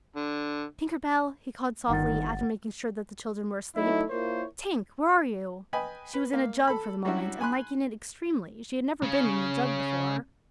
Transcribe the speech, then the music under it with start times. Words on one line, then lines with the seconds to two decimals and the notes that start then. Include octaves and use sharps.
"Tinker Bell," he called softly, after making sure that the children were asleep, "Tink, where are you?" She was in a jug for the moment, and liking it extremely; she had never been in a jug before.
0.16 D3
1.89 G1 D#3 F#5 A6
3.76 F#3 A3 D#4 E4
4.10 A#3 E4 F4 A#4 C5 C#5
5.73 B4 D#5 G5 G#5 B5
6.14 B4
6.33 A#3 F5
6.67 A4 B5
7.05 F#3 G3 C#4 D4 E4 F#4
7.41 G#5 B5 C6 F#6
9.03 C#3 C#4